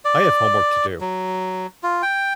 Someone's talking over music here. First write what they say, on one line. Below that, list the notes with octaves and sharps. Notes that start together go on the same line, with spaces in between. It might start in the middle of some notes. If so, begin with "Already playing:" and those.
I have homework to do.
D5
F#3
F4
G5